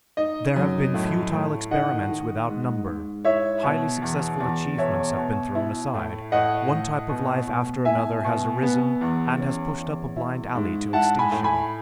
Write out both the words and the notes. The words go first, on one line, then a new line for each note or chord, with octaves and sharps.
There have been futile experiments without number; highly successful achievements have been thrown aside; one type of life after another has arisen and has pushed up a blind alley to extinction.
D#4 D#5
F#2
A2
A2
D#3 D#5 F#5
D#3
G#2
G#2
E4 C#5 E5
B2
E2
E2
B2 C#5 E5
B2
E4
A2
A2 D#5 F#5
A2
B2
B2
E4 E5 G#5
B2
B3
E2
C#4
E2
E4
G#2
E4 F#5 A5
G#5 B5
A2
G#5 B5